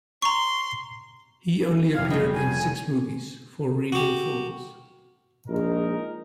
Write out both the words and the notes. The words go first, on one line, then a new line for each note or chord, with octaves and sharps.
He only appeared in six movies for Regal Films.
A#5 C6 C#6
F1 F5 G#6
G3 A3 D#5
G#5
F#4 G4
A#1 G#3 D#4 A#4